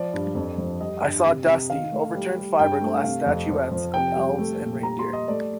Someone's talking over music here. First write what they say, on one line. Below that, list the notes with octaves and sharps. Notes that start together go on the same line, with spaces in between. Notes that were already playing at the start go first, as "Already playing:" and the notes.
I saw dusty, overturned fiberglass statuettes of elves and reindeer.
Already playing: F3 D5
G2
F2
F3
G3 D#5
G2
C3
C3
D#3 F5
A3
G3
G3
G2 G5
A3
C3 F5
F2
F3
F3
C3 G5
G3
A3
A#2
G3 A#5
C6
G3
D#5
A3 D5